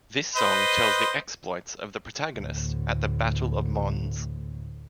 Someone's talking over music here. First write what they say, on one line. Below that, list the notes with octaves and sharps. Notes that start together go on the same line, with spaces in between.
This song tells of the exploits of the protagonist at the Battle of Mons.
B4 C5 D#5
D2 A2